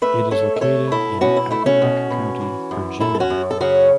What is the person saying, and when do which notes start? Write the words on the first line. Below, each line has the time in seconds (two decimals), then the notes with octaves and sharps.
It is located in Accomack County, Virginia.
0.02 A3 B4 E5
0.31 A3 A4 C#5
0.56 E5
0.61 A3 A4 C#5
0.91 B2 E4 A4
1.21 B2 C#4 F#4
1.37 E4
1.51 A3 E4
1.66 C#4 F#4
1.82 B2
2.10 B2
2.41 E3
2.71 F#2
3.00 F#2 E4 A4
3.15 A4
3.20 C#4 F#4
3.30 F#2
3.51 A4
3.60 C#3 C#4 F#4